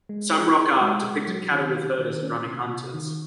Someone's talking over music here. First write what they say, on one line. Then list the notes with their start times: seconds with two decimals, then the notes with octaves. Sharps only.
Some rock art depicted cattle with herders and running hunters.
0.09 G#3
0.32 G#4
0.56 G#4
0.81 G#3
1.04 G#3
1.28 F#3
1.52 D#3
1.76 C#4
1.99 D#3
2.23 C#4
2.46 C3
2.71 F4
2.94 D#3